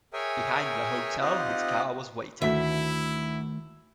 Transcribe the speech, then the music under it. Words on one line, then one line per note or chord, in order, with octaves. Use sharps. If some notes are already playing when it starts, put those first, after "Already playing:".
Behind the hotel his car was waiting.
G#4 A#4 C#5 E5 G5 G#5
C4 D#4 F4 G4 D#5 F#5
D2 D#3 A3 E4 C5 E5 B6